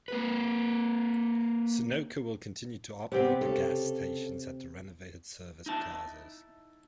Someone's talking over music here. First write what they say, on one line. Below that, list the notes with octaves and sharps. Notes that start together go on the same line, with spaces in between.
Sunoco will continue to operate the gas stations at the renovated service plazas.
A#3 B4
C3 B3 C4 G4 G5
C#3 A4 F5
D#4 E4 A5